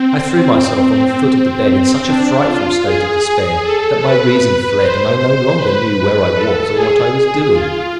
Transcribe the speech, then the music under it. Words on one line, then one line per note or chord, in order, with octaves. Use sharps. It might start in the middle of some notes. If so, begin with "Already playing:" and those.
I threw myself on the foot of the bed in such a frightful state of despair, that my reason fled and I no longer knew where I was or what I was doing.
Already playing: C4
C4
D4
F4
G#4
A4
B4
B4
C5
C5
B4
A4
G#4
G#4
F4